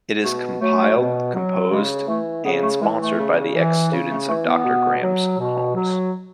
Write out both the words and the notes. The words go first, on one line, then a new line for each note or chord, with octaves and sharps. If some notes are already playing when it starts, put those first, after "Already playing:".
It is compiled, composed and sponsored by the ex-students of Doctor Graham's Homes.
B2 A3
F#3 A3
B2
F#3
C#3 G#3
E3 A3
C#3 B3
A3
E3 G#3
A3
C#3
E3
C#3
A3
E3 A3
B3
B2
F#3
B2
F#3